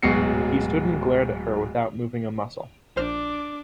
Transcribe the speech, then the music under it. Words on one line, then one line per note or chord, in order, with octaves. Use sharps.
He stood and glared at her without moving a muscle.
D1 G#2 B2 F#3 C7 C#7
A#1 D4 C5 D6 F6